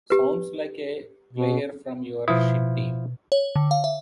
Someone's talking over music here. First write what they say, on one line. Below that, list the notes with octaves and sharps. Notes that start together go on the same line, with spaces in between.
Sounds like a player from your shit team.
G4 B4
B2
B2 F3 E4
C#5
D3
F5
E5